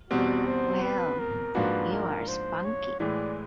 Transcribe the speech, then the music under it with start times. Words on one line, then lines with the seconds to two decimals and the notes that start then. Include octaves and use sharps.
Well, you are spunky!
0.11 E2 B2 G3 C4 F#4
0.46 C5
0.82 B4
1.19 A#4
1.55 G#2 F3 A#3 D4 F#4 B4
1.92 A#4
2.28 C5
2.64 C#5
3.00 A2 E3 G#3 D5